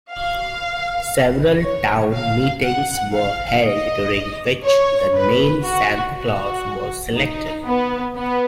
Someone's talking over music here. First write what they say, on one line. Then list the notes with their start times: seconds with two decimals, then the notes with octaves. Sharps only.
Several town meetings were held, during which the name "Santa Claus" was selected.
0.12 F5
1.62 C#5
2.13 F5
2.63 F#5
3.13 F5
3.63 D#5
4.64 C#5
5.14 B4
5.64 F#4
6.15 F#4
7.15 D#4
7.65 B3
8.16 B3